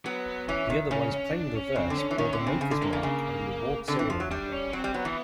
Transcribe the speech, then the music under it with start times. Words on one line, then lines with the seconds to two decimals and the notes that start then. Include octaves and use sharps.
The otherwise plain reverse bore the maker's mark and the award serial number.
0.06 F#3 B3
0.48 E3 C#4
0.70 D#3
0.91 C#3 C#4
1.12 C#4
1.33 D4
1.55 C#4
1.76 C#3 C4
1.90 D3
1.98 C#4
2.11 E3
2.18 D#3 C#4
2.33 D3
2.39 C4
2.47 C#3
2.61 C#3
2.71 D3
2.82 C3 A#3
2.93 C#3
3.03 C#3
3.88 D3 C4
3.99 E3
4.10 F3
4.20 F#3
4.31 G3 D4
4.52 C#4
4.73 F#3 C4
4.84 G3
4.94 F#3 B3
5.05 E3